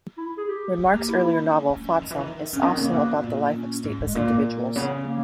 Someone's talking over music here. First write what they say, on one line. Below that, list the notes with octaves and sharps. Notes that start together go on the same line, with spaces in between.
Remarque's earlier novel "Flotsam" is also about the life of stateless individuals.
E4
G#4
G4
B3
A#3
G4
E4
E4
C#4
A#3
E3
D#3
E3
D#3
C#3 C#4
D#3 B3
C#3 A#3
B2
A#2
C#4
G#2
G#2
G#3
A#2 A#3
C#3 B3
A#3